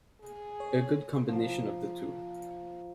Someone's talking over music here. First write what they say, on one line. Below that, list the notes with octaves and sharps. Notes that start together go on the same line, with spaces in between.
A good combination of the two.
G#4
C#5
F3 A#5